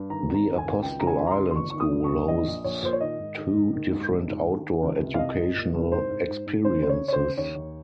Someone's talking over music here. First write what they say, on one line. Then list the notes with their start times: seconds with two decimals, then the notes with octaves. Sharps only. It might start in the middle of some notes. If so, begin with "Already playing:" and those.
The Apostle Island School hosts two different outdoor-educational experiences.
Already playing: G2
0.10 D#3 A#5
0.28 G#1
0.34 A#5
0.47 G#1
0.58 G#5
0.65 G#1
0.82 C#2 G5
1.00 C#3 A#5
1.07 G#5
1.19 C#2
1.27 A#5
1.31 C6
1.37 C#2
1.51 C6
1.55 G1 C#6
1.70 D#3 C#6
1.80 D#6
1.92 G2
2.04 C#6
2.10 G2
2.28 A#1 D#5
2.46 A#1
2.64 A#1 C#5
2.83 A#2 C5
2.93 C#5
3.01 D#3 D#5
3.19 G#2
3.37 D#3
3.55 G#2
3.74 D#3
3.91 G#2
4.10 A#1
4.28 G#2
4.46 D#3
4.65 D#3
4.83 C#2
5.01 C3
5.14 F5
5.19 C2 D#5
5.37 C2
5.56 A#2
5.74 C2
5.92 G#2 C5
6.10 G#2
6.28 G#2
6.47 G#2
6.65 C#3 C5
6.82 C#3 C5
6.89 C#5
7.01 C#3
7.08 C#5
7.13 C5
7.19 C#3
7.37 D#2 C#5
7.55 D#2